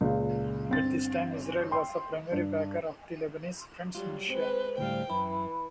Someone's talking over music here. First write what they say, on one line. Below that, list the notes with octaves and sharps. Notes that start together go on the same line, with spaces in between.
At this time, Israel was the primary backer of the Lebanese Front's militia.
C#2 A#2 C#3
G1 C4 A6
G5 C6
G2
F#3 G3 F4
G#3 C4 B4 C5
D2 A2 G3 F5 G5
F#2 E3 E4 B5